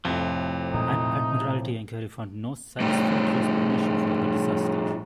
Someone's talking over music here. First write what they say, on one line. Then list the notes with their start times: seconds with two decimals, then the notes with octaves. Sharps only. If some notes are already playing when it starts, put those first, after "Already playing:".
An Admiralty enquiry found no satisfactory explanation for the disaster.
0.05 F2 A2 C3 F3
0.74 A#2 G#3 C4 D#4
2.80 A2 G3